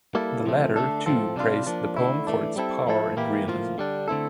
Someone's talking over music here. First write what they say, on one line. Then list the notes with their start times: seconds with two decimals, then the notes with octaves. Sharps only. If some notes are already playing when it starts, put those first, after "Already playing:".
The latter too praised the poem for its power and realism.
0.15 G3 A#3 E4 A4
0.45 C3 F3 A3
0.76 D3 A3 D4 A4
1.06 A2 F3 C4 F4 A4
1.36 C3 G3 D4 F4
1.66 F3 A#3 D4
1.97 D3 A3 E4
2.27 E3 A3 D4
2.56 G3 C4 E4 A4
2.87 F3 A3 E4 A4
3.17 E3 A#3 E4 G4
3.47 A2 F3 A#3 F4
3.78 D3 G3 D4
4.08 D3 A3 C4 E4 A4